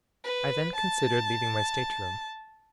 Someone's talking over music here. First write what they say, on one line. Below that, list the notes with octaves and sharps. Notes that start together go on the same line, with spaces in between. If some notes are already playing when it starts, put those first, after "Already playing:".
I then considered leaving my stateroom.
B4
A5